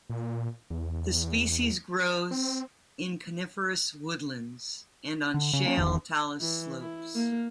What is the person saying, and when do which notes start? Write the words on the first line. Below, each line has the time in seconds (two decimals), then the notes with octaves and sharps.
The species grows in coniferous woodlands and on shale talus slopes.
0.10 A#2
0.70 E2
2.31 C4
5.34 D3
5.53 C#3
5.65 A#3 C#4
5.77 E1 B1 E2 D#3
6.41 E3
6.80 E4
7.15 A#3